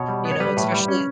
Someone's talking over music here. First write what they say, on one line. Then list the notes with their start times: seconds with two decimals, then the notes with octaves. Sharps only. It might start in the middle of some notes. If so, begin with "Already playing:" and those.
you know, especially at
Already playing: B2 C#5
0.09 G3
0.25 B3
0.32 C#5
0.40 G3 B4
0.57 A2
0.72 G3
0.88 C#4